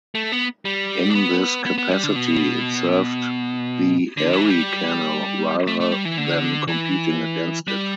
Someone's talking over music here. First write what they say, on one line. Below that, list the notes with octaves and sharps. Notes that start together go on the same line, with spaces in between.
In this capacity, it served the Erie Canal rather than competing against it.
A3
B3
G3
D4
B3
B3
B3
G3
D3
B2
D3
E3
G3
A3
A3
G3
E3
D3
E3
G3